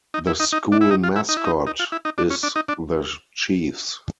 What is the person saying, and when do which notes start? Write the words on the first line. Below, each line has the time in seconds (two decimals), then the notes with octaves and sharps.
The school mascot is the Chiefs.
0.14 D#4
0.27 E4
0.40 D#4
0.53 D#4
0.72 D4
0.81 E4
0.90 D#4
1.03 F4
1.16 E4
1.29 D#4
1.37 E4
1.45 D#4
1.67 D#4
1.80 F4
1.92 E4
2.05 D#4
2.18 D4
2.30 C#4
2.43 D4
2.56 D#4
2.68 D4